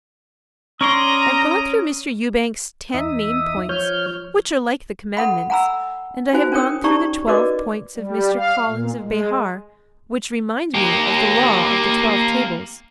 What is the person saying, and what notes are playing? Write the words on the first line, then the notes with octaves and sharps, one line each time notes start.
I have gone through Mr. Ewbank's ten main points which are like the Commandments, and I have gone through the twelve points of Mr. Collins of Behar, which remind me of the law of the Twelve Tables.
C#4 D5 A#5 C6 C#6 D#6
E2 D#4 E5 D#6
F3 C#5 F6 G6
A4 F#5 B5
F#5 G#5 A#5 B5 E6
D#4 F4 F#4 C5 G#5
C#4 D4 A#4 C#5 G5 D#6
C#4 D#4 G4 D5 A#5 C#6
F#4 A#4 B4 D5 D#5 D6
G3
F5
A#2
G#3
A#3 G4